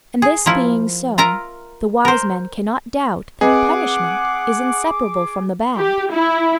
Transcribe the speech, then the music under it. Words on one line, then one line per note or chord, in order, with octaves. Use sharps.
And this being so, the wise man cannot doubt that punishment is inseparable from the bad.
G#4
F3 A#3 E4 F4
F4 A#4 E5 A#5
A#4 C5
C4 G#4 B4 D#5 F#5 D6
G4
E4